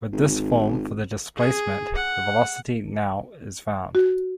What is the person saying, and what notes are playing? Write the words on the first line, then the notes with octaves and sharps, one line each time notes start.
With this form for the displacement, the velocity now is found.
G#1
G#4
F#5
F#4